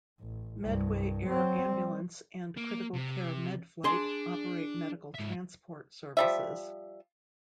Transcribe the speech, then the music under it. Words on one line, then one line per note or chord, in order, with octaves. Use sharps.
Medway Air Ambulance and Critical Care Medflight operate medical transport services.
A1
C2 G2
F#3 C4
G3
A#3
C3
D4 G#4 C6
G#2 E5
F3 G3 E5